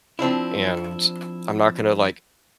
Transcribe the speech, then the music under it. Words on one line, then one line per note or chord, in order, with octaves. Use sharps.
And I'm not gonna, like,
F3 C4 D4 E4